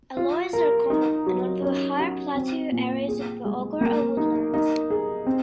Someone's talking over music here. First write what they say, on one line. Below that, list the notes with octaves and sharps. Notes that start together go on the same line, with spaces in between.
Aloes are common, and on the higher plateau areas of the Ogo are woodlands.
F4
A#4
D#4
F#3
C#4
F#4
C4
A#2
G#4
G#3
A#3
D#4
D#4
G#4
C4